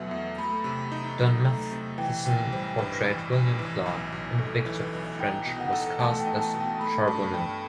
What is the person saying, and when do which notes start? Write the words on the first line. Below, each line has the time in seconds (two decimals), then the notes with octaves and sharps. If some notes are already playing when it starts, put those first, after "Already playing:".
Don Matheson portrayed William Clark, and Victor French was cast as Charbonneau.
Already playing: E2 B2 F#3 A3 B4 E5
0.11 E2 E5
0.38 A3 B5
0.64 C3
0.92 D#4
1.18 F#3
1.45 A3
1.72 C3
1.98 E3 G5
2.25 A1 G5
2.52 G3 C5
2.78 G2 B4
3.05 E3
3.32 A1
3.59 E3
3.86 B1
4.12 B1
4.39 A2 A4
4.66 E3
4.80 B4
4.93 B1
5.19 D#4 G5
5.46 B2
5.60 F#5
5.73 A4
6.00 A3 A5
6.20 G5
6.26 D#4
6.41 A5
6.54 B2
6.61 G5
6.80 A3 B5
7.07 G2 A5
7.33 G2 G5